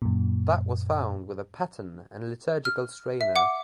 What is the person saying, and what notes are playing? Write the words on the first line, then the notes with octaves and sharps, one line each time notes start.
That was found with a paten and liturgical strainer.
F#2 A#2
F6
E5
F#5 D6